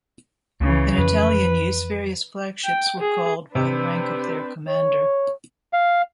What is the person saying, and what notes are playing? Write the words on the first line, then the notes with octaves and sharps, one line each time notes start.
In Italian use, various flagships were called by the rank of their commander.
C#2 C#3 E3
F2 E3 B4
G5
G#4
C3 C4 D4 B4
C#5
F5